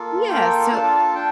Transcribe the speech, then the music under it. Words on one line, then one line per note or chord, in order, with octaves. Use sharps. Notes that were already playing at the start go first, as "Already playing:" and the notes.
yeah, so
Already playing: A#3 F4 A4
A#3 F4 A4 G5
D4 F4 A4 A5
D4 G5